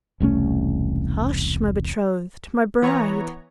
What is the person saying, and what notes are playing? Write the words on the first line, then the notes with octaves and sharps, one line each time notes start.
'Hush, my betrothed! my bride!
E1 C2 A3 C#4
E3 B3 C#5 A#5